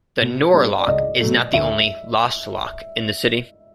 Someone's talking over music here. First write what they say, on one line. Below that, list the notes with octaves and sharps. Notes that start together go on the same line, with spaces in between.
The Nor Loch is not the only "lost loch" in the city.
B2
G3 B3 D4 G4
D5
C#2 D#5
B2 F#3 A3
D2 E5